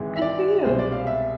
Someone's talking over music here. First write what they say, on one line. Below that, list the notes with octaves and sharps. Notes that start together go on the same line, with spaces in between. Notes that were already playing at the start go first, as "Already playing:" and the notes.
Good for you!
Already playing: G#1 G#2 E3 G#3
E5
D5
C2 B2 G#3 C5
D5
F5
E5